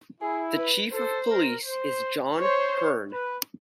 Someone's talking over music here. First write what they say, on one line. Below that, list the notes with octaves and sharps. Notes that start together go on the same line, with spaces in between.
The Chief of Police is John Hearn.
E4 G#4
B4
A4 C5
A#4
C5
C5 C#5
B4